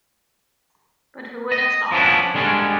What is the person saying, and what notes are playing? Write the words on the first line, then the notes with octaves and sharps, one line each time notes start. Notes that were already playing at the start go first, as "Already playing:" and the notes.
But who would have thought?
D#5
F3 B3 C#4 D4 E4
D3 G3 G#3 C#4 D4